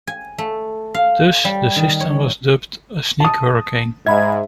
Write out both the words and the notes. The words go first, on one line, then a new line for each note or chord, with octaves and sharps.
Thus, the system was dubbed "a sneak hurricane".
G#5
A3
F5
G3
D#3
C#5
A5 D#6
G#2 D#5 E5 B5 G#6